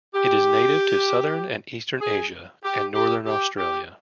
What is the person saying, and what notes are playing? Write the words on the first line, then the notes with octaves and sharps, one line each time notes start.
It is native to southern and eastern Asia and northern Australia.
G4
G#4
G4
G4
G4
G4